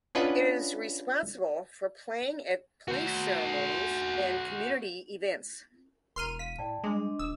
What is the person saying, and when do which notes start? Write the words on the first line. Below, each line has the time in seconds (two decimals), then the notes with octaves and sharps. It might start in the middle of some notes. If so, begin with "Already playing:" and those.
It is responsible for playing at police ceremonies and community events.
0.15 C#4 D4 F4 B4 D#5 F#5
2.88 F#4 C5
6.16 E1 A#4 A#5 C6 F6 D#7
6.39 F5 B6 D#7
6.58 A2 D5 G5 A5
6.84 G3 G#3 D4 D#5 C6
7.19 D#1 D#6 E6